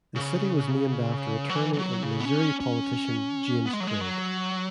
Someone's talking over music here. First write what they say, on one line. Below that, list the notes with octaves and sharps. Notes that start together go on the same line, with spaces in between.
The city was named after the attorney and Missouri politician James Craig.
C#3
F#3
E3
E3
F#3
C#3
B3
C#4
C#4
B3
G#3
F#3
G#3
F#3